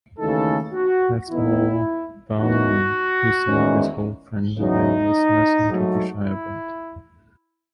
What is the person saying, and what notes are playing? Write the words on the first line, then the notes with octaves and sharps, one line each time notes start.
That’s all baloney,” he said with hope, “and there was nothing to be shy about.!
D#2 C#3 E3 A3 D#4 A4
F#4
A2 E3 B3 D#4 E4
F#2 E3 B3 D#4 F#4
E2 D#3 G#3 C#4
E2 C#3 F#3 D#4
G#2 F#3 A3
E4